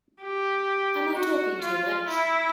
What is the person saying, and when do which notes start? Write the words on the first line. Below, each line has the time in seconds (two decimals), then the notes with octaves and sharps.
Am I talking too much?
0.23 G4
1.15 F#4
1.62 F4
2.08 E4